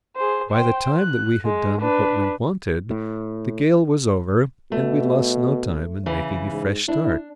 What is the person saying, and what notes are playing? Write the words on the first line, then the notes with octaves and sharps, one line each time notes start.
By the time that we had done what we wanted, the gale was over, and we lost no time in making a fresh start.
G#4 C5
C5 G5
F#6
G#3
D4 B4
A2
B2 A3
C#3 E3
G#2
D4 E4